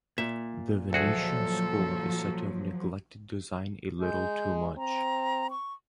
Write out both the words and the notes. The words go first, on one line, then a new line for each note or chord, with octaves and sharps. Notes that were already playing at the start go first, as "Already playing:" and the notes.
The Venetian school is said to have neglected design a little too much.
A#2 E5
D2 F3 F#3 F#4 G#4 A4
G#3 G6
C4 A#5
C#6